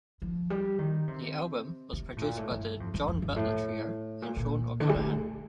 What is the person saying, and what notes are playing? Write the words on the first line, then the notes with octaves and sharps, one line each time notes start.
The album was produced by the John Butler Trio and Shaun O'Callaghan.
F3
G3
D#3
C3
C3
A2
A#2
A2
G2
F2
F2
F2
G2
A2
A#2
A#2
D3
G3
A3